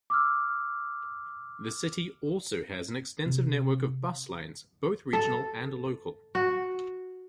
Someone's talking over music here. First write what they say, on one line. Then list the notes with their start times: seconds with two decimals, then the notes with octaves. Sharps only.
The city also has an extensive network of buslines, both regional and local.
0.10 D6 E6 F6
3.26 C3
5.13 A4
6.35 F#4